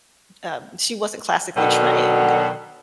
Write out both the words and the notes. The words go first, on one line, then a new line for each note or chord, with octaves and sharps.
um she wasn't classically trained,
B2 D3 D#3 F#3